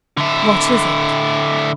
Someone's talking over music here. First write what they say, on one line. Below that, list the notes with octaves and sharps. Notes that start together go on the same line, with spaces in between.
"What is it?"
D3 E4